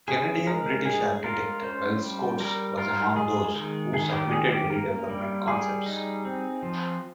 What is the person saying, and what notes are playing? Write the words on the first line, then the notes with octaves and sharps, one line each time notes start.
Canadian-British architect Wells Coates was among those who submitted redevelopment concepts.
C#4 G#4
G#3 A#4
G#3 G#4
F4 A#4
C#4 C5
G3
G3 A#4
F4 A#4
G#3 G#4
D#3
D#3 G#4
G4
C#4 G#4
G4
A#3 A#4
G3
G3 G#4
D#4
C4
F3